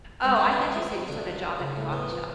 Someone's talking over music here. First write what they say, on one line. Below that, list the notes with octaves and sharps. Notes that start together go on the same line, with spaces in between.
Oh, I thought you said you took a job at the coffee shop.
G#2 B3
C4
B3
D4
D#3 D#4
F2 E4
F2 D#4
D3 D4
F#2
F#2
C#3
A2
B3
F3